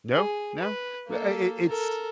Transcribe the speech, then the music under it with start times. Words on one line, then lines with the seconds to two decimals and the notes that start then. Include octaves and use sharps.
No, no. But, I I it it's
0.13 G#4
0.59 B4
1.08 A#3 A4
1.67 A4 A#4